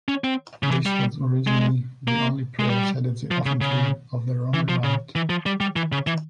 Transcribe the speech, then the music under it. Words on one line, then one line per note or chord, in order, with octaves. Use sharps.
This was originally the only prayer said at the offertory of the Roman Rite.
C#4
C4
C#3
E3
G3
G#3
A#3
G#3
G3
F3
C#3
C#3
E3
F3
C#3
E3
F3
G3
G3
E3
C#3
E3